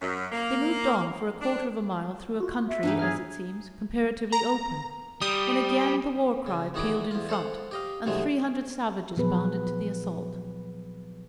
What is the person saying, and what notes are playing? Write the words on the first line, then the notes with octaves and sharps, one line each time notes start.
They moved on for a quarter of a mile through a country, as it seems, comparatively open, when again the war-cry pealed in front, and three hundred savages bounded to the assault.
F#2
A#3
D4
F4 F#4
E5
G2 E3 B3 D4 D#4
F#3 G#4 F6
A#5
G3 D#6
C#3
E2 D#3 F#4 G#4 B5 D6
E2 F4
A4 C5 F5 F#5
G4 D#5 F5
G2 B2 E3 F#3 G#3 A3
A#2 F3 F#3 B3 G#4 B4